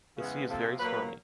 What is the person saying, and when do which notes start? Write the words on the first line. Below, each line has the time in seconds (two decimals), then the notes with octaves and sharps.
The sea is very stormy.
0.18 C#3 E3 G#3 B3 G#4
0.48 C3 F3 A#3 A4
0.79 A#2 F#3 A#3 B4